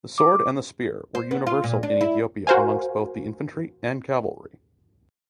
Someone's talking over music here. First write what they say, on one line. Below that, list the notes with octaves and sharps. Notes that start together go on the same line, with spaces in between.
The sword and spear were universal in Ethiopia amongst both the infantry and cavalry.
D6
C5
B3
F4
A#2
D4
E4
F#4 A#4 C5 F5 G#5